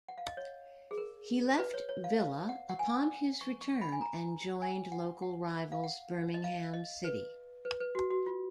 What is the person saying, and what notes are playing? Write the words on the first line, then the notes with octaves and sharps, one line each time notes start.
He left Villa upon his return and joined local rivals Birmingham City.
F#5
F5
D#5
C#5
G#4
A#4
B4
C#5
C#5
F5
F5
F#5
F#5
G#5
C#6
C#6
B5
G#5
A#5
G#5
F#5
F#5
F5
F#5
D#5
F5
D#5
B4
B4
B4
F#4
F#4
F4